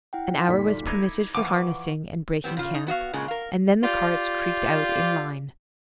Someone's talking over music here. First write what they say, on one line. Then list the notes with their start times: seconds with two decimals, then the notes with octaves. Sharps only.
An hour was permitted for harnessing and breaking camp, and then the carts creaked out in line.
0.13 E4 F#5 G5
0.48 D2 G2 A#2 D#4 B6
0.87 D#4 E4 D6 G6 G#6 A#6
1.35 E3 F3 F#5 C#6 D6
2.44 F3 G3 B3 C4
2.57 C#3 F4
2.74 D#4
2.87 B3 F#4 D#5 F5
3.13 A#2 C#3 G#3
3.28 A#4 F5
3.82 F4 G4 D5 F5